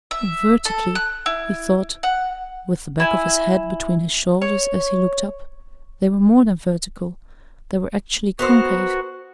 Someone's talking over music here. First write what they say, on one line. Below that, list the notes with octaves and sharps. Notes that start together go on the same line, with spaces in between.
Vertically, he thought--with the back of his head between his shoulders as he looked up--they were more than vertical--they were actually concave.
E5
A4
F#6
E4
F#5
E4 G#5
C#5
B3 F#4 A#4 C5